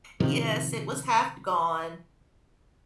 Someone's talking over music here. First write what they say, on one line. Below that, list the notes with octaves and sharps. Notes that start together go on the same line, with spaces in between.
Yes. It was half gone.
A2 C3 D#3 F3